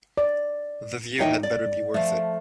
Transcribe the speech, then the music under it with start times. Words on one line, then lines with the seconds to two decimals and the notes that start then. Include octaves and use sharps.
The view had better be worth it.
0.18 D5
1.18 D#2 E3 D#4 C#5 D#5 G5
1.43 D5
1.94 F3 A3